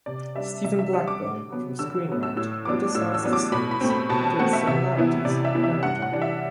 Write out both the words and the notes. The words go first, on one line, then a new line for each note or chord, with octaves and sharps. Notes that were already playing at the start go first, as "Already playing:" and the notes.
Steven Blackburn from "Screen Rant" criticized the series due to its similarities to "Naruto".
C3 D5
G3 D4 E5
C3 E5
E5
G3 D4 F#5
D6
D3
F#3 B3
D3 E6
F#3 B3
E6
A2 E6
F#3 B3 D4 D6
A2 E6
E6
F#3 B3 D4
D6
B2 B5
B5
A3 C4
B5
B2 A5
A5
A3 C4 F#5
E5
C3 E5
E3 B3 E4
C3 D5
E5
E3 B3 E4
E5
G2 F#5
F#5
E3 G3 D4
E5